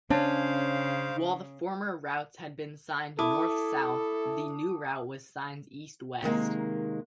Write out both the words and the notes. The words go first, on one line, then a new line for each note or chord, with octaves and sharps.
While the former routes had been signed north-south, the new route was signed east-west.
C#3 C#4 D4 C5 F5
E4 A4 A5 D6 D#6
C3 D#3 G#3 A#3